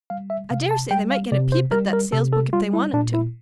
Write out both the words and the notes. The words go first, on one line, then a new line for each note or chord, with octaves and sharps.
I daresay they might get a peep at that sales book if they wanted to.
G3 F5
E5
C3 F5
A5
G3 G5
F5
C3 D5
C5
G3 A#4
A#4
C3 A4
A4
G3 F4
E4
A#2 D4
E4